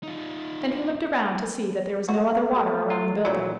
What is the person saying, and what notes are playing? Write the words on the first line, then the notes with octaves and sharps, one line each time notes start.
Then he looked around to see that there was no other water around the building.
D#4 F4
A3 F#4
G4
F4
A#2 D3 F#3 C4 E4